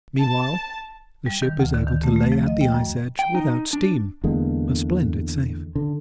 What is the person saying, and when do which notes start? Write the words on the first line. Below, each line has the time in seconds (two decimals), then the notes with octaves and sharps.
Meanwhile the ship is able to lay at the ice edge without steam; a splendid saving.
0.20 A5
1.26 G3
1.42 D#3
1.59 D2
1.74 D3
1.87 D#3
2.03 A3
2.16 A3
2.32 F3
2.47 D#5
2.61 G5
2.74 F#2
3.19 G5
3.35 D#4
3.73 D4
4.24 E2 D3 G#3 A#3
5.76 D3